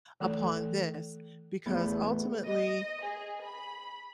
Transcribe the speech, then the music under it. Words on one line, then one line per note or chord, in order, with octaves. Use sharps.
upon this." Because ultimately
E3 A3 A4
E2 A2 B3 G6
D#5
G#4
B5